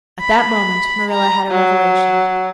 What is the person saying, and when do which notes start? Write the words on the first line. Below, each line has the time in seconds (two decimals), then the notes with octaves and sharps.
At that moment Marilla had a revelation.
0.21 B5
1.10 A#5
1.50 F#3